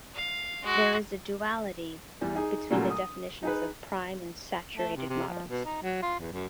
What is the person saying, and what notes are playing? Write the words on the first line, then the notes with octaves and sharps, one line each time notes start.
There is a duality between the definitions of prime and saturated models.
F5
G#3 F#4
E2 G3
D#4 G#4
A#2 C#3 F#3 G3 A3
D#6
D#4 G#4 B4
A3
C3
C3
F3
B2
D#4
F#3
F4
E2
F#2